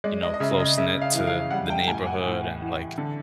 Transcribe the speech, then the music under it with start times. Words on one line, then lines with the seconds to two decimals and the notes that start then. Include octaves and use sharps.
you know, close-knit to the neighborhood and, like,
0.04 G#3 D5
0.23 D#5
0.34 D#5
0.40 C#3 E5
0.60 D#5
0.77 C#3 E5
1.01 F5
1.14 E3
1.27 F5
1.51 G3 F#5
1.70 G5
1.88 A2 G#5
2.07 F#5
2.25 A2
2.62 E3
2.98 D3